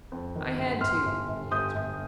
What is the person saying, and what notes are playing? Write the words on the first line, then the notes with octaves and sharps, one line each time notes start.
"I had to," he answered.
F2
D#3
G1
G1 C6 F6
G1
G1
G1 D#6 G6
G1